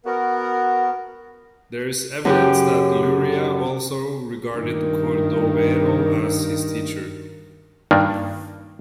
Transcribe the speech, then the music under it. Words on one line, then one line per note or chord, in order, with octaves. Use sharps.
There is evidence that Luria also regarded Cordovero as his teacher.
B3 F#4 A#4
F#2 C#3 G4
G2 D#3
G2 D#3 A#3 D4